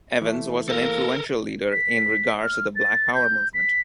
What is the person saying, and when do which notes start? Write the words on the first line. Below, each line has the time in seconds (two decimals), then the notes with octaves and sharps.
Evans was an influential leader in regards to the black power movement.
0.22 E3 A3
0.69 A#3 A4 A#4
1.72 B6
2.42 F6
2.76 A6
3.14 G6
3.54 B6